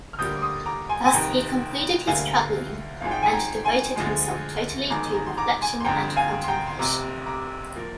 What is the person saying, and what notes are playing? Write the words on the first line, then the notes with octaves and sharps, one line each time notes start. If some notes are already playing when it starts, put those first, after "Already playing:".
Thus he concluded his traveling, and devoted himself totally to reflection and contemplation.
F6
D2 D3 G3 A#3 D#6 G6
D6
C6 D#6
A#5 D6
G#5 C6
G#5
F1 F2 D#3 G5 A#5
D2 D3 G3 A#3 F5 G#5
G#1 G#2 F3 G#3 F5
G5
G#5
G5 A#5
G#5 C6
D2 D3 F3 G#3
G1 F2 D#3 G#3 A#5 D6
A#5
C6
A#5 D6
G#5 C6
C6
G1 F2 D3 G5 A#5
F5 G#5
C6
G5 A#5
C6
F1 F2 C3 A#5 D6
A#5 D6
F3 A#3